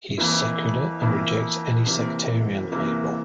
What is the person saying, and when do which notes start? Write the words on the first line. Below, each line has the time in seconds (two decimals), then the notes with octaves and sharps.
He is secular and rejects any sectarian label.
0.18 F2 E3 A#3 E4
1.02 F2 E3 A#3 E4
1.86 C3 E3 A#3
2.72 C3 E3 A#3